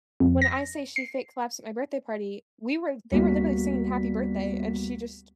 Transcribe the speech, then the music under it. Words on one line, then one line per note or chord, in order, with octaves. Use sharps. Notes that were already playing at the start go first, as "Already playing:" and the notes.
when I say she fake collapsed at my birthday party, we were they were literally singing happy birthday and she just
F2
A#6
C7
D2 G3 A#3 B3 F#4 B6